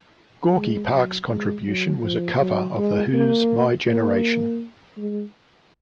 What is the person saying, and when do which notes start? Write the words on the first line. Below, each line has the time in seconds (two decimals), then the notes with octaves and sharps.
Gorky Park's contribution was a cover of The Who's My Generation.
0.57 G#3
0.93 F#3
1.30 G#3
1.67 F#3
2.04 F3
2.40 F#3
2.77 G#3
3.14 A#3
3.87 A#3
4.97 G#3